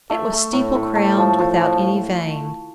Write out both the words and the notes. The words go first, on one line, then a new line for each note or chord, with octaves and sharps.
It was steeple-crowned, without any vane.
A3 E5
A3
A2
A2
A3
F3
F3
F3